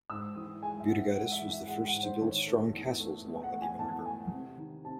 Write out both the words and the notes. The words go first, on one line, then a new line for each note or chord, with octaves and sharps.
Butigeidis was the first to build strong castles along the Neman River.
G#2 E6
E3 D#6
G#3 G#5
E5
G#2 F#5
G#3 F#5
E5
E3
E5
G#3 F#5
F#5
G#2
C5
D#3 C#5
A3
E2
A3
A3
F#5
A3
G#5
E2 A5
A3 G#5
C3
D#3
C3 A5